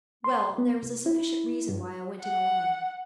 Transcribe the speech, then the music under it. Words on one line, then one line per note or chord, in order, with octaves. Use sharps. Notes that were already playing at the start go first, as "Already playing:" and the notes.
"Well, there was a sufficient reason why I went in alone."
C6
B3
C2
E4
G2
F#5